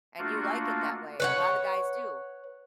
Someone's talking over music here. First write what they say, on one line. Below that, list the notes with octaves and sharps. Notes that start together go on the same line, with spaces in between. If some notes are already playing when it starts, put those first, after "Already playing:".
and you like it that way. A lotta guys do.
A3 A#3 D4 F4 F#4
B4 C#5 F#5